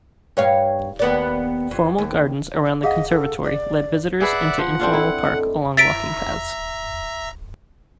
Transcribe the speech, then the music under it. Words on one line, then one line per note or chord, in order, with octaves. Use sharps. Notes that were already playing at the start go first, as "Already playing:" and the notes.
Formal gardens around the conservatory led visitors into informal park along walking paths.
G2 C#5 F5
D#2 B3 D5
F2
D#2
G#4 D#5 F5 F#5
A4
D5
G#4 B4 D5 E5 F#5
F3 F#5
A3 A#3 C4 D4 F4
E4
A3 D4 D#4
E5 A#5 A6 B6 D7